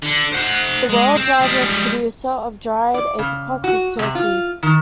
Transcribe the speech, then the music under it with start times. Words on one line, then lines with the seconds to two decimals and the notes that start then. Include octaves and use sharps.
The world's largest producer of dried apricots is Turkey.
0.02 D3
0.32 C5 F#5
0.90 G#3
1.16 C4
1.42 G3 G#3
2.94 D5
3.19 C#3
3.64 F#4
3.99 C3
4.15 F4
4.63 D#3